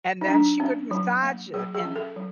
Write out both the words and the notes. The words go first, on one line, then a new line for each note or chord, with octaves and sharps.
and then she would massage it, and,
D#4
F#3 D4
C#4
F#3
A#3
F#3 G#4
G#4
C#4
A4
F#3